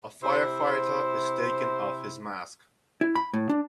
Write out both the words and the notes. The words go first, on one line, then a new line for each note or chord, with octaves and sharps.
A firefighter is taking off his mask.
C3 E4 C5
E4
B5
A2
D4